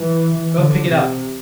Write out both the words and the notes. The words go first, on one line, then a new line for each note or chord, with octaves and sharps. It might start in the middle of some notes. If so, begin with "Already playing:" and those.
Go pick it up!
Already playing: E3
D3
C3